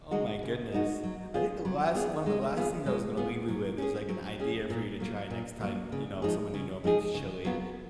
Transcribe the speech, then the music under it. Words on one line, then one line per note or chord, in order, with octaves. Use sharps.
Oh my goodness. I think the last one of the last things I was gonna leave you with is, like, an idea for you to try next time, you know, someone you know makes chili,
G#3 D#4 F#4
C#3
G#3 D#4 F#4
F#3
B3 F4 G#4
F#3
B3 F4 G#4
G#3
B3 F4 G#4
G#3
B3 F4 G#4
F#3
C#4 G#4
F#3
C#4 G#4
A#2
F#3 A#3
A#2
F#3 A#3
C#3
F3 G#3 D#4 G#4
C#3
F3 G#3 D#4 G#4
C#3
F#3 B3 F4